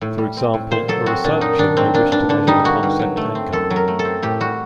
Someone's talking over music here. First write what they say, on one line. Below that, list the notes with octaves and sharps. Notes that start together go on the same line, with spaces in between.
For example, a researcher may wish to measure the concept anger.
A2
G3
C4
A2
A#2 C5
F#3 A4
C4 F#4
A#2 D4
F#2 D#4
D#3 D4
F#3 C4
A#3 D4
G2 D4
D3 D4
G3 D#4
A#3 F#4
G2
F#3
A3
C4
F#2 A4
F#3
A#4
A3
A4
C4
A2 G4
G3 F#4